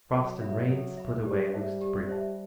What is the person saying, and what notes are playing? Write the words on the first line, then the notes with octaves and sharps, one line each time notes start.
Frost and rain split away loose debris.
F#3 A4
E5 B5
A4
E5 B5
G3 G4
C5 E5 A5
G4
C5 E5 A5